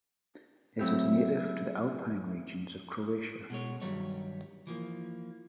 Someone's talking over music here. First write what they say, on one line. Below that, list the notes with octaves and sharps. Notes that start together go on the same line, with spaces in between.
It is native to the alpine regions of Croatia.
F#3 A3 C4 E4 G4
B2 G#3 C#5
G2 D#3 F#3 G3 C#5
E3 F3 A#3